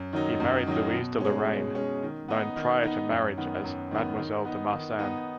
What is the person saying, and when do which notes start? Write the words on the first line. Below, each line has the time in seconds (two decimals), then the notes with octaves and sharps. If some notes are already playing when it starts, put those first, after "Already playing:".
He married Louise de Lorraine, known prior to marriage as "Mademoiselle de Marsan".
Already playing: F#2
0.13 D#3 F#3 D#4
0.40 F#2
0.67 D#3 F#3 D#4
0.94 B2
1.21 G#3 C#4
1.48 B2
1.75 G#3 C#4
2.03 D#3
2.28 B3 D#4
2.56 D#3
2.83 B3 D#4
3.10 F#2
3.37 D#3 B3
3.64 F#2
3.91 D#3 B3
4.18 D#3
4.45 B3 D#4
4.72 D#3
4.99 B3 D#4